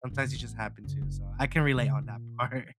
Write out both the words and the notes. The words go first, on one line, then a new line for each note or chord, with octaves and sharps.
sometimes you, just, happen to so, I can relate on that part
G2 C#3
A1 B3
F#2 C#3
F#1
C#3 B3
A#2